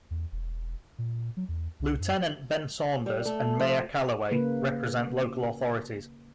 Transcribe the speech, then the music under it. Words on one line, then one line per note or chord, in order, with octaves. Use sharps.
Lieutenant Ben Saunders and mayor Calloway represent local authorities.
E2
E1
A#2
F#3
E2
C2
F#2
G3
A3
F3
C#3 A#3 B4